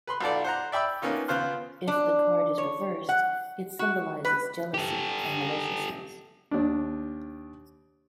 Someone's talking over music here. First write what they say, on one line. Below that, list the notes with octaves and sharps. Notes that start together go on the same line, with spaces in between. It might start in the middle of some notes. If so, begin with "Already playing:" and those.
If the card is reversed, it symbolises jealousy and maliciousness.
B4 B5 C6
B1 F4 A4 D5
C5 F#5 A#5
D5 E5 G5 B5 E6
A#3 B3 C#4 D#4 F4
C#3 B3 F4 C5 F6 F#6
D4
C#5
F#5
F#4
B4
G4 A4
D#2 D4